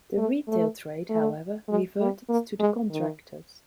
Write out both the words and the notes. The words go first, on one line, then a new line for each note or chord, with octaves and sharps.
The retail trade, however, reverted to the contractors.
A3
A3
A3
G#3
G3
A#3
G#3
D#3